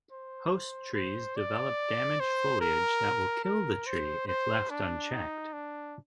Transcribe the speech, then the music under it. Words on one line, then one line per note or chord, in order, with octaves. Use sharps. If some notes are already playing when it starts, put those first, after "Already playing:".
Host trees develop damaged foliage that will kill the tree if left unchecked.
C5
C5
D5
C5
A#4
A#4
C5
C5
D4
D#4
D4